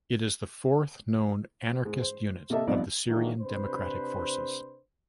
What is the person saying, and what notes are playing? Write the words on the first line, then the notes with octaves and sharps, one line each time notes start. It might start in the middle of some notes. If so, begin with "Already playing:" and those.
It is the fourth known anarchist unit of the Syrian Democratic Forces.
G#2 G#3
C5
C3 A#3 A4 D#5 E5 A5
A#1 G2 B3 C4 D#4 D5
D#3 E3 F#3 G#3 A#3 D4
C3 D4 B4 C5